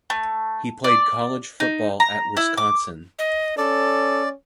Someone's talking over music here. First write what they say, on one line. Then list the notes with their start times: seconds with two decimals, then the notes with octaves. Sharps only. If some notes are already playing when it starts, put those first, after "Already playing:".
He played college football at Wisconsin.
0.10 A3
0.84 D5
1.60 D#4
2.00 A#5
2.37 E4
2.57 D6
3.19 D#5
3.58 C#4 A4 D5